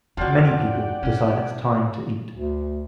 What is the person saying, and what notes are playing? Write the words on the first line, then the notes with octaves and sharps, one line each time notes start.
Many people decide it 's time to eat.
F2 F3 F#3 D5 F#5 G5
B2 C#4
D2